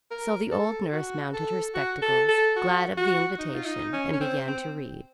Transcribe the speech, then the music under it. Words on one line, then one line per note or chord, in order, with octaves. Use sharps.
So the old nurse mounted her spectacles, glad of the invitation, and began to read.
A#4
A4
F#4
A4
F#4
A4
A4
F#4
F#4
D#4
F4
D#4
C#4
C#4
C4
C4